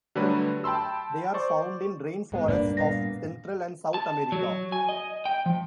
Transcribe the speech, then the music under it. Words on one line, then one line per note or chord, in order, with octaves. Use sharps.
They are found in rainforests of Central and South America.
D3 F#3 G3 A3 F#4 B4
G5 A5 B5 C6 E6
C5 D5 C#6
G#2 G#3 B3
G2 A#3 D4 B4 D5
A#2 B3 F5 A#6
A5
F#3
G#5
D#5
G5
F3